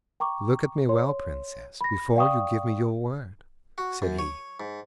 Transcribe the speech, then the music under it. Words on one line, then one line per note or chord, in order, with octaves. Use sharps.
"Look at me well, Princess, before you give me your word," said he.
G5 A#5 C#6 D6
C#5 C6
B5 A#6
D5 F5 G5 C#6 D#6
F#4
F#2
C#5
G#2